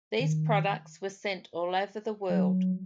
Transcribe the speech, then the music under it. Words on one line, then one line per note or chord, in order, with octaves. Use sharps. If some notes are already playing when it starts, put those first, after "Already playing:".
These products were sent all over the world.
D#3
F#3